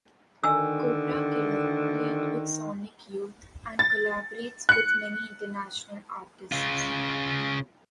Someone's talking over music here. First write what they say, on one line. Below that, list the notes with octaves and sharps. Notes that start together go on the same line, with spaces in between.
Cobra Killer played with Sonic Youth and collaborates with many international artists.
D3 D#3 G#5 E6
A6
F#6 C#7
C#3 F4